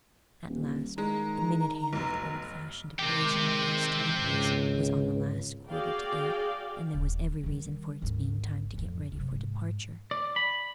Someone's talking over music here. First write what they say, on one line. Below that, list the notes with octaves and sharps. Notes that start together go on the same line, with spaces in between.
At last the minute-hand of the old-fashioned brazen-faced timepiece was on the last quarter to eight, and there was every reason for its being time to get ready for departure.
D#1
D#3 G#3 A#5
F1 B1
D#3 G#3 C4 G4
G#1 C#2
F#4 G#4 D5 F5 G5
D#1
D#3 G3
G#1 D2
A1 F2
F#2 C3
G#2
D5
B5